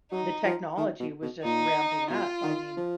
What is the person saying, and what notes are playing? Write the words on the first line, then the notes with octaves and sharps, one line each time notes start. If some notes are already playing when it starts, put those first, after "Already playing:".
the technology was just ramping up, I mean
F#3 D#4
F3
D#3
B2
B2
A#2 D#4
B2 F4
D#3
F3